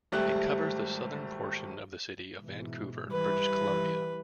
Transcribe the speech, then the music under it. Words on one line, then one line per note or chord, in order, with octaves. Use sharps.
It covers the southern portion of the city of Vancouver, British Columbia.
G#1 G3 A3 G4 F#6
G#2 B2 E3
E3 G3 B4